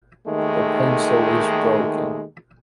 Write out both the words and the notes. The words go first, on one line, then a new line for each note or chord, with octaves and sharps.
The pencil is broken.
D#2 D#3 G#3 A3